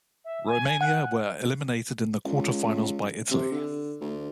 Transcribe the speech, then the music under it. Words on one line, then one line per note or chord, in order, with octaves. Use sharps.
Romania were eliminated in the quarter-finals by Italy.
E5
G#5
G#5
F#5 F#6
C#2
C3
D3
D2